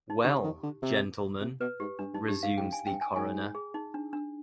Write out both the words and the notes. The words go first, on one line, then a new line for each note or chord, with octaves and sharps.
"Well, gentlemen," resumes the coroner.
D#4
D3 G4
D#3
D3
C3
C3
B2 B4
G#2 G4
G2 D4
G2 D#4
G2 G4
G2 F5
G#2 G5
G#5
G2 G5
G#5
G#2 G#5
G#4
D#4
D4
D4